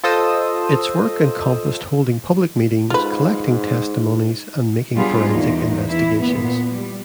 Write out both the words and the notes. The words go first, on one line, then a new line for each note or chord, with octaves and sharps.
Its work encompassed holding public meetings, collecting testimonies, and making forensic investigations.
F4 A4 C5 D#5 D#6 E6
G#2 F4 B4
F#3 G3 B3 D4 F4 G#4
E2 A#3 D#4
E3 E4
A#2 B3
G3